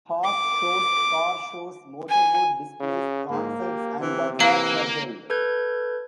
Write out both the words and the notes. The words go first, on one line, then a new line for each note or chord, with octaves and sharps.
Horse shows, car shows, motor-boat displays, concerts, and bazaars were held.
D6
G#5
C#3
G#2 A#3
G4
C3 E3
E3 A#3 F5 A#5
A4 B4 G6 G#6